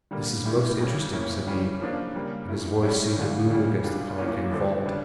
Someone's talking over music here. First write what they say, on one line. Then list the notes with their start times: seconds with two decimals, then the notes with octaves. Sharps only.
"This is most interesting," said he, and his voice seemed to boom against the concave vault.
0.11 D3 G3 A#3
0.45 A2 E3 G3
0.79 F2 C#3 G3
1.13 A2 E3 A#3 C#4 E4
1.47 C#3 E3 G3 C#4
1.81 C#3 F3 A#3 D4 F4
2.15 C#3 G3 A#3
2.48 A#2 A3 E4
2.82 A2 G3 C#4 E4
3.16 D2 D3 A3 D4 F4
3.50 D2 C#3 E3 G3
3.84 A#2 G3 D4 F4
4.18 E2 E3 A#3 C#4 F4
4.52 G2 D3 F3 A3 D4
4.86 C#3 G3 D4